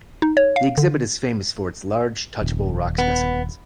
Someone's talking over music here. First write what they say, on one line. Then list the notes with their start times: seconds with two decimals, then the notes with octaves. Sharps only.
The exhibit is famous for its large, touchable rock specimens.
0.22 D#4
0.37 C#5
0.56 F5
0.78 D3
2.42 D#1
2.98 B3